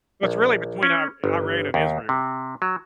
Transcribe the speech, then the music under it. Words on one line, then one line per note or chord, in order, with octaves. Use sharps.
So it's really between Ir Iran and Israel.
A#1
C#4
G1
D#2
C3
F#3